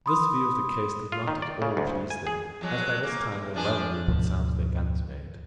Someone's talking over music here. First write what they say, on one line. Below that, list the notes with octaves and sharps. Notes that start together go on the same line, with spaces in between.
This view of the case did not at all please them, as by this time they well knew what sounds their guns made.
B5 C6 D#6
F4
D#3
D5
C#3
D2
G#5
G#4
F2 F#3 G#3
A#3
A2
F3 D4 G#4
D2 G#2 B2 F3